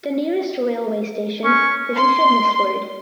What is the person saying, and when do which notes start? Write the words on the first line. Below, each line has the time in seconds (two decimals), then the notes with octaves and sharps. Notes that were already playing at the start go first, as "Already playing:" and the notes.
The nearest railway station is in Hednesford.
1.44 C#4 C#6
1.95 C6